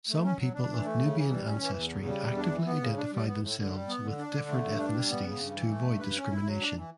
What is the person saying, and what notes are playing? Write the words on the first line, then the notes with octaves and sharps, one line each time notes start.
Some people of Nubian ancestry actively identify themselves with different ethnicities to avoid discrimination.
A3
C#4
F#3
D4
E3
A3
C#3
E3
G3
C#4
E3
E2
C#3
G3
E2
D4
E3
B3
C#3
D4
G3
B3
A2
D3
G3
B3
D3
D4
D3
A3
G2
D4
G3
B3
C#3
G2
E3
A3
G2
B4
C#4
E4
F#3
D4
E3